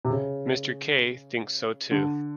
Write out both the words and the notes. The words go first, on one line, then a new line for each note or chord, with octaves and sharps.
Mr. Kay thinks so too.
C3
C#3
D3